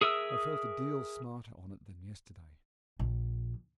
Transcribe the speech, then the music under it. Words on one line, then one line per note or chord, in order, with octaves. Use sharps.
I felt a deal smarter on it than yesterday.
G#4 A#4 E5 D#6 E6
A#1